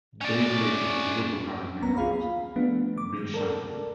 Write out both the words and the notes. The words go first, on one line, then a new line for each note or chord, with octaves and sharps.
Days later Liverpool had a new manager, Bill Shankly.
C#4 D5
C2 A#3 B3 C#4 A#5
F4 G#4 F5 B5
F3 A3 B3 D4
D#3 D6
G3
A4 A#4 D5 A5